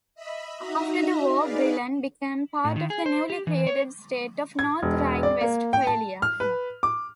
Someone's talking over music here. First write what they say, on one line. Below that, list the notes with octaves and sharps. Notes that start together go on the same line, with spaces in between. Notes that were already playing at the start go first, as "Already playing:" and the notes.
After the war Brilon became part of the newly created state of North Rhine-Westphalia.
D#5 E5 B5
D#4 F#4 D#5 E5 A#5
D#4 G#4 B4 D5 F5
A2
D#3
G#4
C5
G4
E3
C#5
G#6
E1
D5
A#3
G5
A5
F6
B4
D6